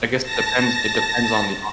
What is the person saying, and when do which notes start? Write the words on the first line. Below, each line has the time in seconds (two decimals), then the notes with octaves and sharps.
I guess it depends it depends on the, uh
0.21 A5 A#6